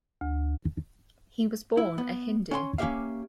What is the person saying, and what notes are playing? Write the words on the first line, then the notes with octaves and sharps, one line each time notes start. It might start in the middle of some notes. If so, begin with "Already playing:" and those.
He was born a Hindu.
D2
E4
B3
C#4 F#5 C6
A#3 C#4 D4 G4 E5 F5